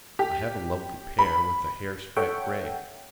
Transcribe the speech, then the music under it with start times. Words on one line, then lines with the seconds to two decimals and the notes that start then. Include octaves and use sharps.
I have a lovely pair with a hair stripe, grey.
0.19 G4
1.19 B5
2.16 A4 C#5 E5 F#5 G5